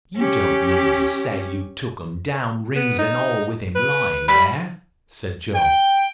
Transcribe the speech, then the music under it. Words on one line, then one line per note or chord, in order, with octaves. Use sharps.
"You don't mean to say you took 'em down, rings and all, with him lying there?" said Joe.
C#4 G4
B3
D#4
B4
G3 B5
G5